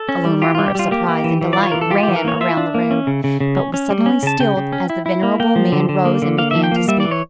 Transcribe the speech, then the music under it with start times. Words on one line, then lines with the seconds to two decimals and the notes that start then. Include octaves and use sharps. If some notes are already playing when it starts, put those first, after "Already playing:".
A low murmur of surprise and delight ran round the room, but was suddenly stilled, as the venerable man rose and began to speak.
Already playing: A4
0.09 C#4
0.25 G3
0.42 F4 G4
0.55 G3 F4
0.66 G4
0.75 G3 F4
0.91 A#3 G4
1.08 A#3
1.24 E3
1.41 E3
1.53 F4 D5
1.63 C#5
1.72 E3 A#4
1.81 A4
1.90 F4 G4
2.03 E3 G4
2.16 A#4
2.25 A#3 C#5
2.41 F4 E5
2.57 D4
2.75 A#3
2.91 C#4
3.07 C#3
3.24 C#3
3.40 C#3
3.57 C#4
3.74 C#4
3.90 G3
4.06 C#4
4.23 C#3 A5
4.40 C#3 G5
4.57 C#3
4.73 C#4
4.90 E4
5.06 E4
5.23 A#3
5.40 A#3 G5
5.56 F3
5.72 D3
5.89 D3
6.05 A#3
6.22 D3
6.38 A#3 F5
6.51 F3 E5
6.64 G5
6.72 A#3 F5
6.88 G3 E5
7.00 E3 D5
7.11 C#5